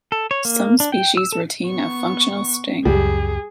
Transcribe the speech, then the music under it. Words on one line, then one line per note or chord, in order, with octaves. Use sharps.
Some species retain a functional sting.
A4
C#5
A#3
D4
G5
E6
A4
B3 C#6
C#2 F#2 G3 G#4